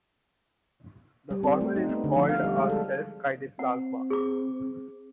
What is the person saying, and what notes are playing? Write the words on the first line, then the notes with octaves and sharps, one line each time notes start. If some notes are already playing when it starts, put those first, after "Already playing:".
The former is called a self-guided plasma.
G3
C4
A3
D#4
B3
D3
F3
F5
G3
G#3
A4
C4 F#5
G#4 D6